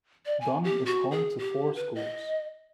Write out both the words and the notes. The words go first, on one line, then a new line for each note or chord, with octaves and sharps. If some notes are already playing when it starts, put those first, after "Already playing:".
Dunn is home to four schools.
D5
G#5
G4
F#4
G#4
G4
B4
D#5